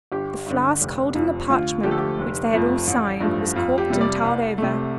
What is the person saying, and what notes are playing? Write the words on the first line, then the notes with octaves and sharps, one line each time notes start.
The flask holding the parchment which they had all signed was corked and tarred over.
G1 G4
G2 D3
F1
F2 F3
D2 F4
D3 F3 A3 G4
A4
G4
F1
F2 F3 A3
A1
G2 F3 A3
F2 F4
G4
C3 G3
D5
C2
C3 A3